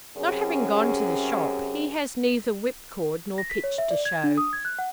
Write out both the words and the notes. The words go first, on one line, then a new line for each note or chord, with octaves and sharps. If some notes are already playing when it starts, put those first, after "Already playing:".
Not having gone to the shop, he has neither whipcord nor pitch to show.
F#2 C3 C#4 G#4
A#6
B6
C#5
E5
D5
G#6
D4
D#6
G#6
F#6
F#5